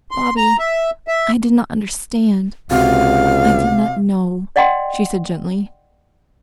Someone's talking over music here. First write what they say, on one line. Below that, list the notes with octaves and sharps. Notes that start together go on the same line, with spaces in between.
"Bobby, I did not understand--I did not know," she said gently.
C6
A#5
E5
E5
C#2 C3 F#4 F5
D5 D#5 F#5 G5 B5 C6